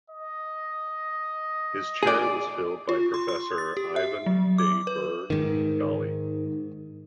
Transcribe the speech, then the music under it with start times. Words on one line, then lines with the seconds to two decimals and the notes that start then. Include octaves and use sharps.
His chair was filled by Professor Ivan De Burgh Daly.
0.10 D#5
2.03 G#4 D5
2.89 F4
3.14 C6
3.28 C6
3.58 A6
3.77 G4
3.96 E5
4.26 F#3
4.58 D6
4.87 B4
5.30 G#2 D#3